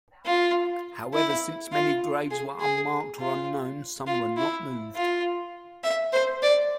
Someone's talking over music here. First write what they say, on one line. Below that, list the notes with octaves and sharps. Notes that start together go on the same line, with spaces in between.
However, since many graves were unmarked or unknown some were not moved.
F4
E4
F4
G#4
G#4
F4
F4
E4
F4
E5
C5
D5